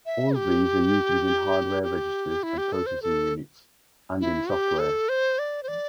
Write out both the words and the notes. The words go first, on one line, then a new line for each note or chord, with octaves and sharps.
All of these are used within hardware registers and processing units, and in software.
E5
G4
G4
E4
G4
A4
C5
A4
E4
G4
A4
C5
D5
C5
D5